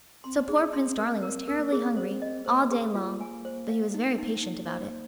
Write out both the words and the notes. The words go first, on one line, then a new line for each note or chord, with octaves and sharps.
So poor Prince Darling was terribly hungry all day long, but he was very patient about it.
C4 C6
D#4 G#4
C4 C6
A#4
A#4
A#4
A#3
C4 G#4
C5
C4
D#5
A#3 C5
G#4
F4
G#5
C5
F5
D#4
D#4
D#4
C5